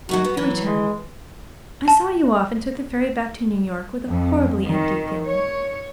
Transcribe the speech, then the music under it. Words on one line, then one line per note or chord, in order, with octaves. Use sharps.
To return: I saw you off, and took the ferry back to New York with a horribly empty feeling.
F#2 D#3 F#3 F#4
B3
E3 F#3
G#3
A5
F2
D#3
C#5